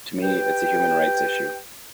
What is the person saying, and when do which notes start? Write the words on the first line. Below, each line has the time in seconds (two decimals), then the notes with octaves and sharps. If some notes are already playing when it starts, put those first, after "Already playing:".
To me, it's a human rights issue.
0.23 G4 B4 G5